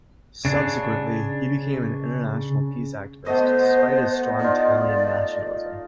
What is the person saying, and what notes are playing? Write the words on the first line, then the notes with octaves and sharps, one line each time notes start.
Subsequently, he became an international peace activist, despite his strong Italian nationalism.
C#3 D4
A3 B3 C5 D#5
D#4 F4 D5